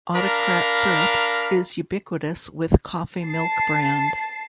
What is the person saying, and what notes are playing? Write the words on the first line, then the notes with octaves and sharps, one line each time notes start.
Autocrat Syrup is ubiquitous with coffee milk brand.
D4 A#4 F5 A#5 B5
A5 C7